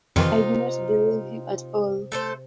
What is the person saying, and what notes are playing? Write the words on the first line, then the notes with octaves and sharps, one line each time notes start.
I do not believe him at all!
F2 C3 D#3 E3 D#4 F4 D#5
A3 A4 C5